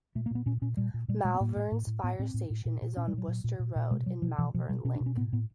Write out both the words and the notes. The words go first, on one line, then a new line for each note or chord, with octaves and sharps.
Malvern's fire station is on Worcester Road in Malvern Link.
A#2 A3
A#3
A#2 B3
A#2 C#4
A#2 C#4
A#2 G3
A#2
A#2 G3
A#2 G#3
B3
A2 A#3
A2
A2
A2
A2 B3
A2 C4
A2
A2
A#2
A#2
A#2 C#4
G3
A#2 F#3
A#2
A#2
A#2
A#2
B2 G#3
B2 F#3
B2 F3
B2 E3
B2 F3
B2 G3
B2 C#4
D4
B2
C#4
A2 B3
A2 B3